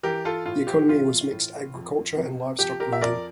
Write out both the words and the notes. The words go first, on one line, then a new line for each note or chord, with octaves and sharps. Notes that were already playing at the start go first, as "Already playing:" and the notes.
The economy was mixed agriculture and livestock breeding.
E3 G4 A#4
F4 A4
A2 F4
G4
E3 F4
A2
F2
C3
F3 G4
G4 A#4
E5
F2 A#4 D5